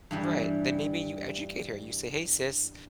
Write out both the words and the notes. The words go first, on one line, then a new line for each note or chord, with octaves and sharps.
Right, then maybe you educate her, you say, "Hey, sis"
G2 E3 G3